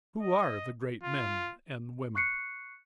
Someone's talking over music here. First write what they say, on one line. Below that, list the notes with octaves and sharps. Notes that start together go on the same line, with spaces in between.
Who are the great men and women?
D#5
F4
C#6 F#6 C7 C#7